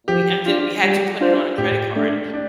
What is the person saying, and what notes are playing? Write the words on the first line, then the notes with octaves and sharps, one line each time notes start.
we ended we had to put it on a credit card,
F3 G4
D4 F4
G3
D4 F4 C5
A2 G4
A3 D4
D4